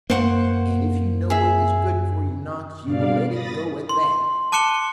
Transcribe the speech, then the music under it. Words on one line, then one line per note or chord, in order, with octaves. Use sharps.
And if you know what is good for you, Knox, you will let it go at that.
F#2 A#3 C5 F#5 C#6
G#4 E5
G2 B2 D5 F5
B5 D#6 A6 A#6
C6
A5 D6 F#6 C#7 E7 G7